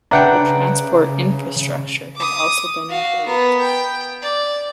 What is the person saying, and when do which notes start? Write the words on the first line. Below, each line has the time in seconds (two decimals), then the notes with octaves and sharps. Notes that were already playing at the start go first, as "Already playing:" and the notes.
The transport infrastructure has also been improved.
0.11 C#3 D4 B4 E5 F#5 G5 A#5
2.15 D6 D#6
2.89 F#4 F5
3.26 B3 A#4
3.60 G5
4.22 D5